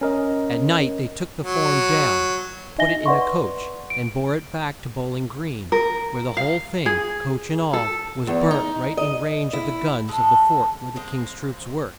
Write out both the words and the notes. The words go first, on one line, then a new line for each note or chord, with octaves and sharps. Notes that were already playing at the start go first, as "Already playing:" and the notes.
At night they took the form down, put it in a coach, and bore it back to Bow-ling Green, where the whole thing--coach and all--was burnt right in range of the guns of the fort where the King's troops were.
C#4 A#4 D#5
F#3
D#4 D#5 E5 G#5 A#6 G7
B4 D5 F#5 C6 C#6
D7
A#4
F5
G#4
A4
E2
D#4
D#5
E4
D3 G#3 A4
G#3 A#3 C4